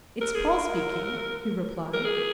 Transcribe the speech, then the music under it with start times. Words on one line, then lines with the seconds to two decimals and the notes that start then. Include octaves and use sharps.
"It's Paul speaking," he replied.
0.21 A#4
0.35 G#4
0.49 A#4
1.94 A#4
2.04 G#4